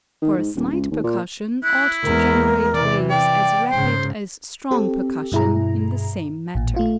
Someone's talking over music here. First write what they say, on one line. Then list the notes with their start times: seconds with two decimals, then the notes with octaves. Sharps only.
For a slight percussion ought to generate waves as rapid as strong percussion in the same matter.
0.22 D#3
0.38 G#2
0.56 D#1
0.72 C#2
0.91 D#2
1.04 A#2
1.63 E4 F#6
2.03 E2 G#3 A#4
2.74 C3 E3 D5
3.10 D5 G5
3.71 G#2 C#3 C5
4.71 C4 G4 A4
5.32 G2 B2 E4 G#4 A#5
6.55 A1 A#2
6.76 A3 F4